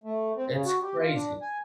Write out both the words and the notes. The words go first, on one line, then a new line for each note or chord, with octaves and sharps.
it's crazy.
A3
C4
C#3
F#4
G4
F4
D4
G#5